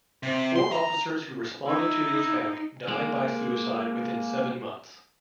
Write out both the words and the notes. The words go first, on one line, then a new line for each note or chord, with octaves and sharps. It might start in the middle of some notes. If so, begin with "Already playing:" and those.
Four officers who responded to the attack died by suicide within seven months.
C3
C6
A#5
D#4 E4
G#3 A#3